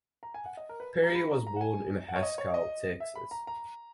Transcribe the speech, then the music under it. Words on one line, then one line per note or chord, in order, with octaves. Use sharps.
Perry was born in Haskell, Texas.
A#5
G#5
F#5
D#5
A#4
B4
A#5
B5
A#5
A#5
F#5
G#5
F#5
C#5
D#5
C#5
D#5
E5
B5
A#5
A#5